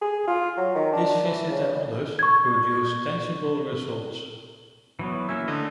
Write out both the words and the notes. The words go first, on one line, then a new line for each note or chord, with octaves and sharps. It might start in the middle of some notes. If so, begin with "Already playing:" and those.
This visit and others produced tangible results.
G#4
F4
F#3
D#3
D4
E3
C#3
C#6 G#6
E3 F#3 B3
A#3 C#4 E4 E6
D3 A3 D#5